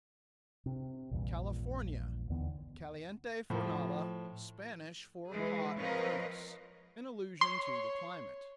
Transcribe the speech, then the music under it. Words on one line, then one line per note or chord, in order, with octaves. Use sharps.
California--Caliente Fornala, Spanish for "hot furnace," in allusion to the climate.
C3
A#1 E2 G2 A#2
D#2 D3 E3 B3
A2 F3
E3 G#3 G#4
F3 C4 A#4 B4 C#5 D#5
C#5 C6